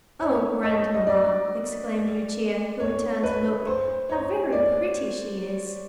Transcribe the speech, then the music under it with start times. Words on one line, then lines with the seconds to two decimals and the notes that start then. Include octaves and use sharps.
"O grandmamma!" exclaimed Lucia, who had turned to look, "how very pretty she is!"
0.20 C#5
0.63 D#5
0.94 D#5
1.07 D5
2.80 C#5
3.24 B4
3.67 C5
4.09 C#5
4.52 D5